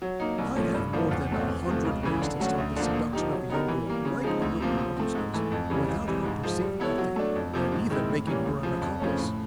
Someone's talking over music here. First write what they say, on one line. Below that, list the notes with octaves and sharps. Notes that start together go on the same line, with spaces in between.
I have more than a hundred ways to start the seduction of a young girl right under her mother's nose, without her perceiving a thing, and even making her an accomplice.
F#3
A#3 D#4
C2
A#2 F3 A3 C#4
G2
D3 F3 A#3
E2
B2 F#3 A3 C4
E2
C3 F3 A3
C#2
C#3 E3
D3
F#3 A3 C#4 F#4
D2
D3 F3 A#3
A#2
F3 A#3 D#4 G4
F#3
B3 D#4 G4 A#4
E3
G3 A#3
C#3
F3 G#3 C4 D#4
D2
C3 F3 A#3
F3
A3 C4
G#2
E3 A3
F2
C#3 E3 G3
C#2
C3 E3 G3
G#2
F3 G#3
G3
B3 E4 A4 C#5
F#3
A3 D4
F2
C3 F3 A#3
G#2
D#3 G#3 C4 E4
A2
E3 G3 A#3 C#4
D2
C#3 F3
F2
C#3 F3 A3 C#4
A2